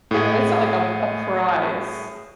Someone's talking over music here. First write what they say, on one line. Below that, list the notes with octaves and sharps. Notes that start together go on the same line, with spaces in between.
yeah, but it's not like a a prize.
A2 G#4